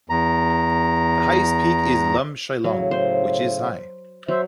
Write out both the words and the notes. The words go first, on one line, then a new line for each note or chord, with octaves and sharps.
The highest peak is Lum Shyllong which is high.
E2 A#5
A2 C#3 F#3
C5
F#3 C5 E5